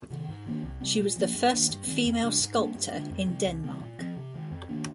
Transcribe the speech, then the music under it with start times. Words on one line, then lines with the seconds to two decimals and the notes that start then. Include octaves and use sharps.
She was the first female sculptor in Denmark.
0.10 C3 D#3
0.28 G#2
0.46 D#3 A#3 D4
0.63 C2
0.81 C3 G3 C4
0.98 A#2
1.16 F3 A#3 D4
1.34 G2
1.52 D#3 A#3 D4
1.70 G2
1.86 D#3 G#3 C4
2.05 F2
2.22 C3 G3 D4
2.40 G#2
2.57 G3 A#3 D4
2.75 G2
2.93 D3 G#3 D4
3.10 F2
3.28 C3 G3
3.45 C2
3.63 C3 G3 C4
3.81 A#2
3.99 F3 C4
4.16 C3
4.34 D#3 G#3
4.51 F2
4.69 D#3 A#3 D4